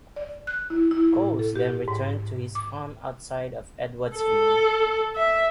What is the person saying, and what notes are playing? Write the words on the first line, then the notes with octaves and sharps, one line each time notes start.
Coles then returned to his farm outside of Edwardsville.
D5
F#6
E4
E4
A2
A4
G4
G#2
D6
A4
E5